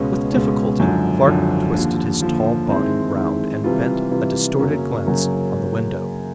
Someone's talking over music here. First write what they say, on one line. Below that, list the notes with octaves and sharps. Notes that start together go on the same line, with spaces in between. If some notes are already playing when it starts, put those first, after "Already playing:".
With difficulty Clark twisted his tall body round and bent a distorted glance on the window.
Already playing: C#2 B2 G#3 C#4
C#2 B2 G#3 C#4
G#1 F#2 D3 F3
G#1 F#2 D3 F3
D#2 D3 F3
D#2 D3 F3
D#3 G#3 C4 E4
D#3 G#3 C4 E4
C3 E3 G3 C4 F4
C3 E3 G3 C4 F4
F#2 C#3 F#3 A#3 C#4
F#2 C#3 F#3 A#3 C#4